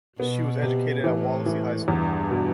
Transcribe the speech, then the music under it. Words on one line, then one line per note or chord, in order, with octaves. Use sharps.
She was educated at Wallasey High School.
B2 B3
C3
A2 E3
E3
E2 G2
B2